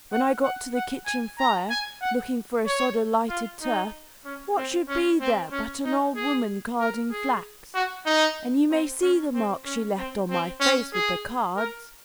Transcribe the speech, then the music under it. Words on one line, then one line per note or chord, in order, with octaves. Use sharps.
When I got to the kitchen fire, looking for a sod of lighted turf, what should be there but an old woman carding flax, and you may see the marks she left on my face with the cards.
F#5
F#5
F#5
G#5
A#5
G#5
F#5
C#5
F4
D#4
C#4
C4
C#4
C4
C#4
D#4
G#4
A#4
G#4
F#4
D#4
C4
C#4
C4
C#4
C4
C4
C#4
G#4
A#4